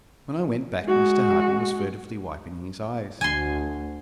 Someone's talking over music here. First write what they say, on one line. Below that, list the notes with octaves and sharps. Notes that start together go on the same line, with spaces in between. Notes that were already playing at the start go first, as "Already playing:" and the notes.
When I went back, Mr. Harton was furtively wiping his eyes.
G#3 F#4
D2 G#5 C6